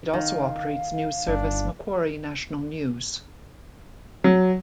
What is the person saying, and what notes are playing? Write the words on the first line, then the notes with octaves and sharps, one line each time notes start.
It also operates news service Macquarie National News.
D#3 F5
G1 D4
F#3